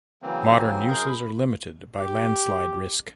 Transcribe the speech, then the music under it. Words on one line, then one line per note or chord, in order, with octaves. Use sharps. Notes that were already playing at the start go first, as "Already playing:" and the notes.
Modern uses are limited by landslide risk.
C#3 E3 F#3 A#3 C4
F#2 G#4 A#4 C6 G6
B5
G4